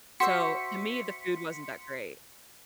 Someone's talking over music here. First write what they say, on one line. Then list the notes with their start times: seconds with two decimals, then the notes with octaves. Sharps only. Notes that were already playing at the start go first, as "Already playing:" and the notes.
So, to me, the food wasn't that great.
0.20 F#4 C5 E5 C6 B6 C#7